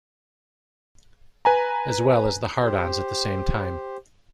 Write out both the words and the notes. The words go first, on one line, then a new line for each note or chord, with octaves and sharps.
As well as the Hard-Ons at the same time.
B4 G#5 A#5
G4 C5